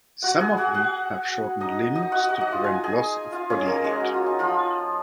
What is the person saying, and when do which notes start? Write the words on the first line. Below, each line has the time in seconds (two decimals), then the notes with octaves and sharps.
Some of them have shortened limbs to prevent loss of body heat.
0.22 F#4 F#5
0.40 G#4 G#5
0.57 F#4 F#5
0.74 F#4 F#5
1.60 D#4 D#5
1.95 D#4 D#5
2.12 F#4 F#5
2.29 F#4 F#5
2.41 D#4 D#5
2.52 F4 F5
2.64 G#5
2.84 G#4 G#5
3.32 F4 F5
3.50 C#4 C#5
3.60 G#4
3.66 A#3 A#4
3.84 G#3 G#4
4.00 F#4
4.14 F4
4.26 D#4
4.39 F3 F4